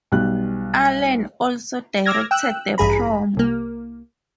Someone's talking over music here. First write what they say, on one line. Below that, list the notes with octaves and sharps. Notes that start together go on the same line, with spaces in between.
Allen also directed the promo.
B1 G3 F#6
D6 E6 F6 G#6 A#6
G5 E6 F#6
A1 G2 G#4 A#5 B5
C2 A#3